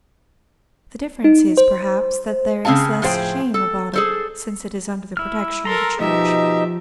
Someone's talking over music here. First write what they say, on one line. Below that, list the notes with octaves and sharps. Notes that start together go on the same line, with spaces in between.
The difference is, perhaps, that there is less shame about it, since it is under the protection of the Church.
D#4
C5
C#3 C4 G#4 F5 A5
A2 F3 G#4 C5 G5
A4
G#4 A4 C5
E4 E6 F6
A4 A#4 A#5 C6
B2 F3 D#4 G4 D#5 E5